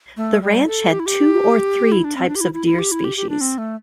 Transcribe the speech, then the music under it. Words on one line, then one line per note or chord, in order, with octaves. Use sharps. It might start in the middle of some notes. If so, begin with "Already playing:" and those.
The ranch had two or three types of deer species.
A3
G3
A4
G4
E4
G4
E4
D4
C4
D4
G4
E4
E4
E4
G4
E4
G4
G4
D4
C4
A3